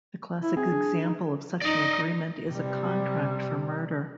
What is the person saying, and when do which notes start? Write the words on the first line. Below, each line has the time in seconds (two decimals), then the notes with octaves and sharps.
The classic example of such an agreement is a contract for murder.
0.42 E4
0.57 C4 G#4
0.72 D4
1.04 D#4
1.62 D#4 D5 D#5
2.50 C3 G3